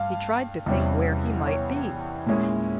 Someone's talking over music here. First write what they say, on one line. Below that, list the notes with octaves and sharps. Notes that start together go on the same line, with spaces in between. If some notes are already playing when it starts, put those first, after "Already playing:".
He tried to think where he might be.
Already playing: G2 F5
E2 C3 G3 C#4
C#5
A#2 G#3 C#4 E4